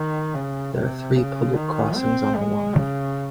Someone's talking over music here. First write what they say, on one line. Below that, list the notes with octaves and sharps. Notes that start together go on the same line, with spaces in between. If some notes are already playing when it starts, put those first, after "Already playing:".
There are three public crossings on the line.
Already playing: D#3
C#3
C3
C#3
D#3
C4
G#3
C#3